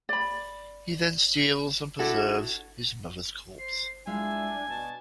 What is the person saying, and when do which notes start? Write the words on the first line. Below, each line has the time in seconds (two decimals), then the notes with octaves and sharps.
He then steals and preserves his mother's corpse.
0.09 D5 B5
1.99 D4 E4 F#4 A4
3.59 C5 C7
4.07 G#3 D4 E4 F4 G#5 E6
4.68 B2 D4 A5